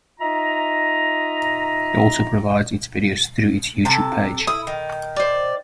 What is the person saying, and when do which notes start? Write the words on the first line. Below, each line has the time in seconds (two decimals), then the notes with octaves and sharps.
It also provides its videos through its YouTube page.
0.20 D#4 F4 D#5 E5 A#5
3.85 C3 A4 A5
4.47 E4 D#6
4.67 D#3
5.16 C5 D5